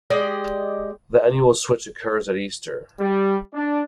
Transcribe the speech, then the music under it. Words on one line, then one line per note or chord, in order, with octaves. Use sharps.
The annual switch occurs at Easter.
G#3 G4 D5 D#5
G3
D4